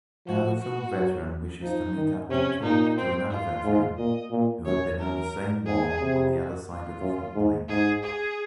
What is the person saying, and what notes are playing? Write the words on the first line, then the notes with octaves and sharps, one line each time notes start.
Now this old veteran whishes to meet up and talk to another veteran, who had been in the same war on the other side of the front line.
F3 F#4
F#4
F#3
F3 D#4
D#3
C3 C#4
A#2 D#4
C4
F4
G#2
A#2 D#5
A#2
F#2 C#5
F#2 A#4
G#2 G#4
C3
F#4
F4
F#2
G#2
G#2 G#4
G#4